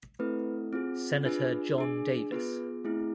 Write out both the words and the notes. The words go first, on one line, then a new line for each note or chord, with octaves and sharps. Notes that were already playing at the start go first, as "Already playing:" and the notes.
Senator John Davis.
A3 C4 E4 A4 B4
C4 F4 G#4
D4 F4 G#4 B4
D4 G#4
B3 F4 G#4 B4
A3 C4 E4 G#4